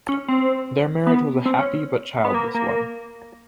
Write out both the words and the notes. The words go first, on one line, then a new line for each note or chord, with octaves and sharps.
Their marriage was a happy, but childless one.
C#4
C4
B3
C4
C#4
B3
A#3
A#3